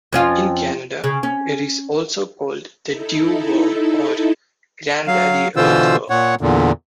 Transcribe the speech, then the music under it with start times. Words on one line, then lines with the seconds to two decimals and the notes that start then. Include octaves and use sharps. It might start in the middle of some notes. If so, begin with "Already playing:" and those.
In Canada, it is also called the dew worm, or "Grandaddy Earthworm".
0.13 F2 C#4 F4
1.04 C#3
1.23 C#4
2.84 D#4 E4 A4
5.07 F#3 F5
5.56 B2 D3 E3 F4 C5 E6
6.10 A#2 C#5 F#5
6.41 E2 A#2 D3